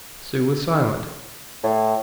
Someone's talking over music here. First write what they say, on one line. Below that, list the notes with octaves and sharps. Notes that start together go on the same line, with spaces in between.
Sue was silent.
A2